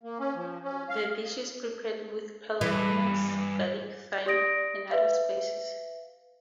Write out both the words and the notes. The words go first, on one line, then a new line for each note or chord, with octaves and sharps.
The dish is prepared with pearl onions, garlic, thyme, and other spices.
A#3
C#4
F3
C#4
F5
G2 E3
G4 D5 D#6 A#6 D7
B4 E5 F5